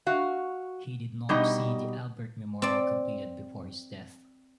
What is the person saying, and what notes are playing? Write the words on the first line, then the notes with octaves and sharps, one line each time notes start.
He did not see the Albert Memorial completed before his death.
F#4 F5
B2 G3 D#4 G4 D#5
C4 D5